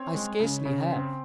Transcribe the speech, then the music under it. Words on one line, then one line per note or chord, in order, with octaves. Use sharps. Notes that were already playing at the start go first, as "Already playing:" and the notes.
"I scarcely have."
Already playing: C4 C#5
G#3
C#3
C#3
C4